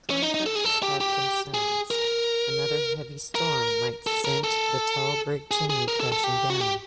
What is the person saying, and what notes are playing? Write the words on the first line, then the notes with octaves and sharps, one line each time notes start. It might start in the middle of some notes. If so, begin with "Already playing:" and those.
Contractors had concerns 'another heavy storm might sent the tall brick chimney crashing down'.
C#4
D#4
D#4
A4
G#4
A4
G4
G4
G#4
A#4
A#4
A4
A#4
A4
G#4
G#4
A#4
A4
A4
G4
F#4
G4